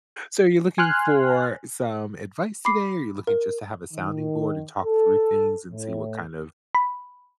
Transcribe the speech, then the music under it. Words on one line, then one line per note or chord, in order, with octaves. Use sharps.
so are you looking for some advice today, or you're looking just to have a sounding board and talk through things, and see what, kind of,
G#5 C6 F6 F#6
B5 D6 C7
A#4
D#3
A4
A2
B5